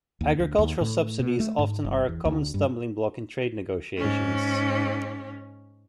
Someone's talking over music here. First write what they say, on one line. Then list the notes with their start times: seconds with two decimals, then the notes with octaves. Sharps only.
Agricultural subsidies often are a common stumbling block in trade negotiations.
0.21 D#2
0.40 D2
0.59 D#2
0.81 A2
1.19 B2
1.40 A3
1.59 G#2
1.85 G1
2.09 E2
2.25 D2
2.54 G2
3.97 G#2 C#4